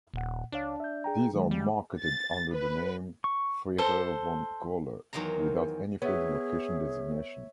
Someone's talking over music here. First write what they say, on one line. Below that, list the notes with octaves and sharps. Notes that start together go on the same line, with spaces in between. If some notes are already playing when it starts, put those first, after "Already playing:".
These are marketed under the name "Freiherr von Göler" without any further location designation.
D#1 A#2 F#5
C#2 D4 C#5 F5
E5 G6
G#4 G5 A#5
D#3 F#3 G#3
G3
A6
B4
C#6
A4 C5
E2 D#3 F#3 C5 A#5
B3 G#4 C#5 E5